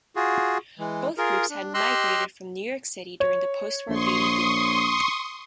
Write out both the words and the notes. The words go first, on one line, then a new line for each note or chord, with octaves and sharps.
Both groups had migrated from New York City during the post-war "baby boom".
F4 F#4 G#4
E3 G#3
F4 G#4 A#4
D4
G4 D#5 C6 E6 F#6
C#5
A#1 C6 C#6 D#6